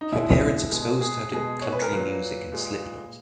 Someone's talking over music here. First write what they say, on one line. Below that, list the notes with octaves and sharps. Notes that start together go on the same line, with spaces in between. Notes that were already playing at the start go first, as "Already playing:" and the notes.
Her parents exposed her to country music and Slipknot.
D#4
B2 G#3 E4
B2 G#3
G#4
B2 G#3 G#4
C#5
B4
A#4
A#2 F#3 B4
A#2 G#3